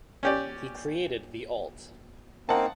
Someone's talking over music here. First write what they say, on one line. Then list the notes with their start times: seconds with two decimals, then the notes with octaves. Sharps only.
He created the alt.
0.23 C#4 G4 D5
2.49 A#3 C4 D#4 F#5 A5